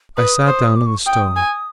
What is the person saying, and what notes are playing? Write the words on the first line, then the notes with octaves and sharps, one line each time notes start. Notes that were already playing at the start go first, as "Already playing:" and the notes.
I sat down on the stone.
B4 D#6
C5
D6
C#6
G5 D#6
G#5